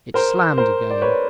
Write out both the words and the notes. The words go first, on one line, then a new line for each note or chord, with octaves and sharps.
It slammed again.
A#4 C5
A#4 C5
D5
B4 C#5